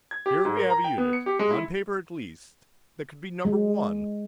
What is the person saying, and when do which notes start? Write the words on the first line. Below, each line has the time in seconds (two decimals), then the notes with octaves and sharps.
Here we have a unit, on paper at least, that could be number one.
0.11 G#6
0.26 G4
0.45 G#2
0.57 A#4
0.70 A#5
0.84 G5
0.98 B3
1.13 C#7
1.26 G4
1.39 G#3
1.51 E4
3.45 G#3